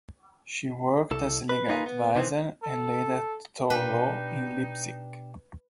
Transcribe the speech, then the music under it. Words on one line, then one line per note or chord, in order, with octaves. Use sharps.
She worked as legal adviser and later taught law in Leipzig.
C2 A4
B4
A#3 D#4 F4 G#4 B4
B3
C3 D#3 E3 B3 C4
A4
B2 D4 D#4 G4 B4